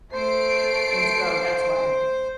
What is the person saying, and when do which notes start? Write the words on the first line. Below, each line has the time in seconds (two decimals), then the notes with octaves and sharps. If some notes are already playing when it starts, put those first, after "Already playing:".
and so that's why.
0.13 A3 C5 C7 D7